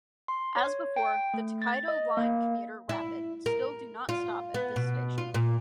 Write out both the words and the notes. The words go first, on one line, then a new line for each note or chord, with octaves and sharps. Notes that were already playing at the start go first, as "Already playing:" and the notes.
As before, the Tokaido Line commuter rapid still do not stop at this station.
C6
C#5
G5
A3
A6
D#5
A#3
E4
A#4
F4
B3
B2
F4
A#2